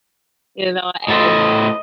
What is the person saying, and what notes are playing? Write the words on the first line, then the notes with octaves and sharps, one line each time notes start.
You know, as
A2 A4 C5 D#5